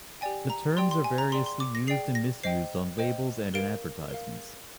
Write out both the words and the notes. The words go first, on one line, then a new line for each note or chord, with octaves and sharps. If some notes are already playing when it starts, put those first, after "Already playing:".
The terms are variously used and misused on labels and in advertisements.
G4 D5 G5 G#5
A#5
G4 D5 G5 C6
C6
G#5
A#5
G#4 D5 G5 C6
C6
D6
A#6
G#4 D5 G5 C7
A#6
C5 D#5 G5 C7
C5 D#5 G5
A#4 F5 D7
A#4 F5